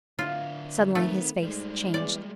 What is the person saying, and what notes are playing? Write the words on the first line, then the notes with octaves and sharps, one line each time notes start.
Suddenly his face changed.
D3 E4 F4
D#3 A3 C4 B4
G#2 G3 G#3
E2 D5